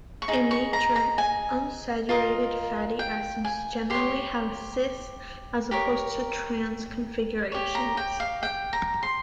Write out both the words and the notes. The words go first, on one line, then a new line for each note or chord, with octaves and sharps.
In nature, unsaturated fatty acids generally have "cis" as opposed to "trans" configurations.
C#6
D#4 G#4
C#6
A#5
A#5
G#5
F4 A#4 D#5
G5
G#5
G4 C#5 C6
G4 A#4 C#5
G4 C#5
A#5
G5
F5
G5
A#5
C6